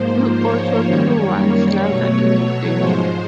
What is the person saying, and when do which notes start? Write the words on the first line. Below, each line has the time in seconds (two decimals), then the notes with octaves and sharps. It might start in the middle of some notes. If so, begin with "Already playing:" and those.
He also threw one slider in the game.
Already playing: G#2 F3 A#3 C5
0.39 C#5
0.87 F#2 D#3 G3 A#3
1.84 B2 F#3 A3 C#5
2.80 G#2 F3 G#3 C5